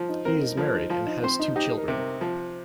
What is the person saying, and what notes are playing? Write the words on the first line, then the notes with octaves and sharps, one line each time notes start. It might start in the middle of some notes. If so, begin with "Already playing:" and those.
He is married, and has two children.
Already playing: F3
D#4
C4 A#4
D#4
F3 A#3
D#4
F3 F4
D#4
C4 C5
D#4
D#4 G4
A#4
C3
A#4
F3